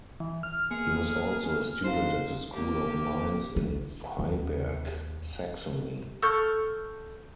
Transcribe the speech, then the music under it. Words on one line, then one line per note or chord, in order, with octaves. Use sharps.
He was also a student at the School of Mines in Freiberg, Saxony.
E3
F6
A#3 B3 G#4 C#7
D#4 E4 C5 F5
A#3 G4
E4
D#2
A4 C#6 F6 G6